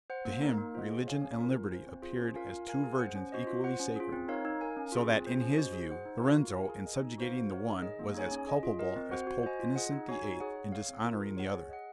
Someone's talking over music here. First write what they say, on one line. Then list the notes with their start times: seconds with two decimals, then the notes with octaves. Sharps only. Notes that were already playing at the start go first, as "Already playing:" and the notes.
To him religion and liberty appeared as two virgins equally sacred; so that, in his view, Lorenzo in subjugating the one was as culpable as Pope Innocent VIII in dishonouring the other.
0.10 C5 F#5
0.25 A#3
0.42 D#4 A#4
0.58 A#3
0.75 F4 C5 D#5 F#5
0.91 G#4
1.07 C#5 F5 G#5
1.22 C#4
1.38 F4 A#4
1.55 F4
1.71 C5 F5 G#5
1.87 C4
2.02 F4 G#4 C5
2.19 C#4
2.35 F4 A#4 F5 G#5
2.51 F4
2.68 A#4 F5 G#5
2.83 G#4
2.99 C5 F#5
3.15 C#4
3.32 F#4 C5 D#5
3.47 F4
3.64 C5 F#5
3.79 C#4
3.96 F4 G#4
4.13 C4
4.28 D#4 A#4 C#5 F5
4.45 D#4
4.61 A#4 F5 G#5
4.77 C#4
4.92 F4 G#4
5.09 C4
5.25 F4 G#4 C5
5.41 C#4
5.57 F#4 C5 D#5
5.73 G#4
5.90 C5 F#5
6.05 D#4
6.21 F#4 A#4 F5
6.38 F4
6.53 A#4 F5 G#5
6.69 G#4
6.86 D#5 G#5
7.02 D#4
7.18 F#4 C5 F5
7.34 F#4
7.51 A#4 C#5 F#5
7.67 D#4
7.82 G#4 D#5
7.99 A#3
8.14 D#4 G#4 C#5 G#5
8.31 C#4
8.47 G#4 D#5
8.63 F4
8.79 A#4 D#5
8.96 C4
9.11 F#4 C5 F#5
9.27 F#4
9.43 C5 D#5 G#5
9.59 F4
9.76 G#4 D#5 F#5
9.92 D#4
10.08 F#4 C#5 G#5
10.24 D#4
10.40 G#4 C#5 F#5
10.56 G#4
10.72 C#5 F5
10.89 C4
11.05 F4 A#4
11.20 G#4
11.37 C#5 F#5
11.54 G#4
11.69 D#5 F#5